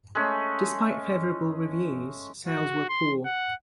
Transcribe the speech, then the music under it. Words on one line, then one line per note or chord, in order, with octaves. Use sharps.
Despite favorable reviews, sales were poor.
G#3 A3 C#4
F#4
C6
F#5